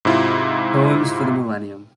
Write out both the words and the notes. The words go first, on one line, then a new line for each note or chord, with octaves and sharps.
Poems for the Millennium.
G#2 C3 E4 F4